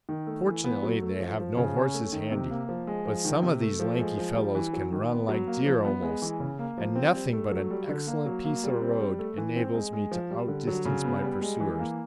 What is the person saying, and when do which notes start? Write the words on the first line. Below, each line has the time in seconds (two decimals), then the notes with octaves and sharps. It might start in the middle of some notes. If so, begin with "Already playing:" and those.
Fortunately, they have no horses handy, but some of these lanky fellows can run like deer almost, and nothing but an excellent piece of road enables me to outdistance my pursuers.
0.09 D#3
0.27 A3
0.46 E3
0.64 B3
0.83 F#3
1.01 A3
1.20 F3
1.38 F3
1.57 C#3
1.76 C#4
1.94 A3
2.12 D#3
2.31 C3
2.50 A#3
2.69 F3
2.87 G#3
3.05 F3
3.25 D#3
3.43 C3
3.61 A3
3.80 F3
3.99 G#3
4.18 F3
4.36 G3
4.55 E3
4.73 F#3
4.92 D#3
5.10 B3
5.29 F#3
5.47 A#3
5.66 F3
5.85 B3
6.03 G#3
6.22 E3
6.40 C#3
6.59 A#3
6.78 F3
6.96 C4
7.14 G3
7.33 A3
7.52 F#3
7.70 G3
7.89 D3
8.07 A#3
8.26 F#3
8.44 A#3
8.63 G3
8.82 C4
9.00 G3
9.19 A3
9.38 E3
9.56 C4
9.74 G#3
9.93 G#3
10.11 F3
10.31 G3
10.48 D3
10.67 F#3
10.85 C#3
11.05 B3
11.23 G3
11.41 G#3
11.60 E3
11.79 A#3